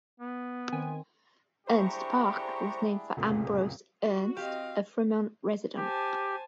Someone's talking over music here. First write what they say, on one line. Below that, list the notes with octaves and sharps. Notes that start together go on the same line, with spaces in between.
Ernst Park was named for Ambrose Ernst, a Fremont resident.
B3
D#3 C4 G#5
D3 D4 E4 G4 G#4 C5 A#5 C#6
F1 C#2 F#2 A#2 A3 G#4
F#4
C4 G4 D#5 F5
G4 C5 G#5 A5